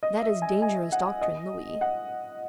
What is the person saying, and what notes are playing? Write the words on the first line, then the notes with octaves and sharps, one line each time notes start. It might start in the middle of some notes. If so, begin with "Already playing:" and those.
"That is dangerous doctrine, Louis."
D#5
E5
G#5
G#5
F#5
D#5
F#5